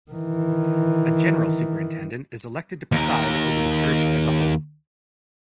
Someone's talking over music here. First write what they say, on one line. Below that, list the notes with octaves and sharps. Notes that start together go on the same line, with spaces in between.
A General Superintendent is elected to preside over the church as a whole.
D#3 E3
D#2 A#4